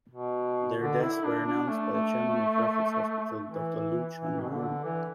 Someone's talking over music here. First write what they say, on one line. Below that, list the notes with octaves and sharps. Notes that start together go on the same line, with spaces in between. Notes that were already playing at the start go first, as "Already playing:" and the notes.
Their deaths were announced by the chairman of Raffles Hospital, Doctor Loo Choon Yong.
B2
D3
E4
D4
D4
A3
A3
E3
E3
B2
D3
E3